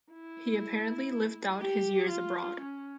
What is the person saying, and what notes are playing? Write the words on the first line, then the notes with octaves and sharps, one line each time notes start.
He apparently lived out his years abroad.
E4
G4
F4
C#4